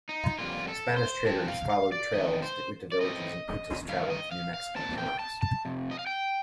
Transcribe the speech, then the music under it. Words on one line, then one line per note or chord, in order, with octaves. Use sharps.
Spanish traders followed trails to Ute villages and Utes traveled to New Mexican towns.
D#4
F2 D3 G3 A#3 F4
A4
C5
G2 F3 C4 A5
F5
F5
D5
F2 D#3 A3 D#5
C5
D5
A2 A3 C4 D#5
G2 D#3 A3 F5
D#5
F5
F5
A#2 G3 C4 A5
G5
A5
A5
F2 C3
D#5
F5
G5